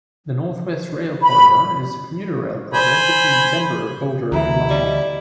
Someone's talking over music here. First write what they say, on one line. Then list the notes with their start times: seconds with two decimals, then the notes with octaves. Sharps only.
The Northwest Rail Corridor is a commuter rail project between Denver, Boulder, and Longmont.
1.22 B5
2.74 C5 G#5 B5
4.32 D2 E3 E4 A#5
4.70 G3 D#5